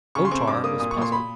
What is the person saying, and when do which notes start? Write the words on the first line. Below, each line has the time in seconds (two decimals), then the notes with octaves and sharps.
O-Tar was puzzled.
0.15 C#3 C#6
0.25 C6
0.31 C4 C#6
0.47 G2 D6
0.64 A#3 D#6
0.80 A#2 D#6
0.91 C#6
0.96 A#2
1.02 C6
1.12 B5